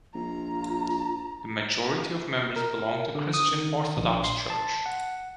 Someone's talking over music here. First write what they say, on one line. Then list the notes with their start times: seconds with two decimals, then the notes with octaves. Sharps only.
The majority of members belong to the Christian Orthodox Church.
0.14 A#1 F4 A#5
2.56 A#4
3.15 D3
3.34 D#6
3.51 D#3
3.97 A#1
4.24 C6
4.50 A5
4.86 F#5